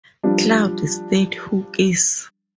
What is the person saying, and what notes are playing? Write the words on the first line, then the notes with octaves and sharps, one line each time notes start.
Cloud State Huskies.
F3 G3 D4